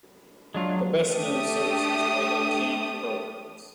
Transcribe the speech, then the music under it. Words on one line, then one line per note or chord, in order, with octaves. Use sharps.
The best-known services are the camp programs.
F#3 G#3 D4 F4
A3 D4 G4 D#6